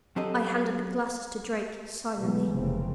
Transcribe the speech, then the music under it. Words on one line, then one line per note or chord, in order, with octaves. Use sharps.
I handed the glasses to Drake, silently.
F#3 C4 G4 A4 D#5
B2 E3 F#3 G#3 A3 B3
F1 C#3 E3 A#3 C4